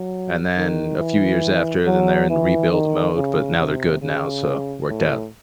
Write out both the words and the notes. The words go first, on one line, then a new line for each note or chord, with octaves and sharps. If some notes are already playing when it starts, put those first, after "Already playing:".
And then a few years after, then they're in rebuild mode, but now they're good now, so worked out.
Already playing: F#3
D#3
E3
F#3
E3
D#3
C#3
C3
C#3
A2